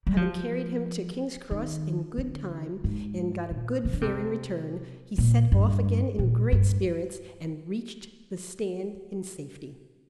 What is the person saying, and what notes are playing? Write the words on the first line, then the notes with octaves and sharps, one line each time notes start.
Having carried him to King's Cross in good time, and got a good fare in return, he set off again in great spirits, and reached the stand in safety.
G3
F3
D#3
D3
G#2
A#2
C3
D3
C3
A#2
G2
A#2
G2